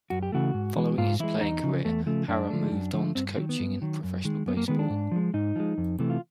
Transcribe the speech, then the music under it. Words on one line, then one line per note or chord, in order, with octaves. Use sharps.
Following his playing career, Harrah moved on to coaching in professional baseball.
F#2 F#4
G4
C#3 E3 A3 F#4
G#2
E3 G#3
G#2 F4
E3 G#3 E4
E2 D#4
C#3 F3
E2 A3
C#3 F3 A3
F#2 D4
D3 F3 A3
F#2
D3 F3 A3
G2 C4
D#3 F#3 C4
B3
G2
D#3 F#3
F#2
D#3 G#3
F#2 B3
A#3
D#3 G#3 B3
D4
G#2
F3 G#3
G#2 D#4
F3 G#3
F2
C3 E3 A3
F4